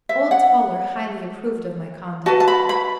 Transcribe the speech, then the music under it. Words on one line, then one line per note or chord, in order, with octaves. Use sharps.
Old Toller highly approved of my conduct.
E5
F#5
F#4 B4 A5
A5
B5
B5